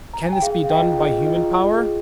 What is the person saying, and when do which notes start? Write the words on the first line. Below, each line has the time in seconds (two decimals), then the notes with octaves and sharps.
Can this be done by human power?
0.14 A#5
0.23 G#5
0.33 G5
0.42 G#4 F5
0.61 G#4 F5
0.70 D#5 G5
0.80 F4
0.98 G#4 D#5
1.18 F4
1.26 D#5
1.36 F4
1.54 F4
1.74 G#4